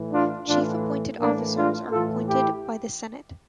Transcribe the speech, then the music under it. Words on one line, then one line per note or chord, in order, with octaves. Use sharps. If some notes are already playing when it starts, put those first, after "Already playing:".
Chief appointed officers are appointed by the senate.
Already playing: A2 E3
D4 F4
A2 E3 D4 F4
A2 E3 A#3 D4
D4 F4
A2 E3 F4 A4
E4 G4